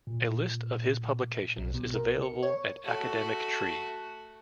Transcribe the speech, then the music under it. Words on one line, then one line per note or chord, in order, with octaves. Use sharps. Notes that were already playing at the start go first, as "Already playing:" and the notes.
A list of his publications is available at Academic Tree.
A#2
B1
B2
A#4
C#7
C#5
A3 F#4